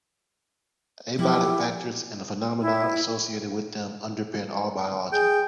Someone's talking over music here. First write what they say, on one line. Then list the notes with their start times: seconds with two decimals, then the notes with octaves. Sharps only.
Abiotic factors and the phenomena associated with them underpin all biology.
1.19 F3 F#3 E4 G4
2.61 E4
5.13 G#4 G5